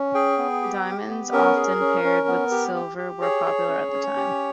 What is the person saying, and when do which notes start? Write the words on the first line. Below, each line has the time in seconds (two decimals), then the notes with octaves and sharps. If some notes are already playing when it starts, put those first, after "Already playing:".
Diamonds, often paired with silver, were popular at that time.
Already playing: C#4
0.14 G#4 G5
0.38 B3
0.62 G4
0.85 G4
1.08 B3
1.32 C#4 A#4
1.56 G#4
1.80 C#4
2.04 C#4
2.28 B3
2.51 G4
2.75 G4
2.98 G4
3.21 G#4 C#5
3.46 G#4
3.68 C#4
3.92 C#4
4.16 G4